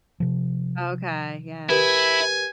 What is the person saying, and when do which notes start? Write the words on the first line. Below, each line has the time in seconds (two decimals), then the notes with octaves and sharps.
Okay, yeah.
0.20 C3 F3
1.70 E4 G4 A#4 B4 G#5